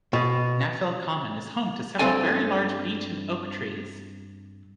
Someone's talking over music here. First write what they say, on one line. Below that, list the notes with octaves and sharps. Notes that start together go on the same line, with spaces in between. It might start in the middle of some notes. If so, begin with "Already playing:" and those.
Naphill Common is home to several very large beech and oak trees.
B2
G2 F#3 C4 A4 D5 G#5